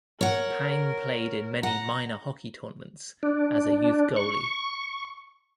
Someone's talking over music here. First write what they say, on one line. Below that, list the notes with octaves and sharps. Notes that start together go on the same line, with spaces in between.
Pang played in many minor hockey tournaments as a youth goalie.
A#4 C#5 F#5
F#5 A#5
D4
C#6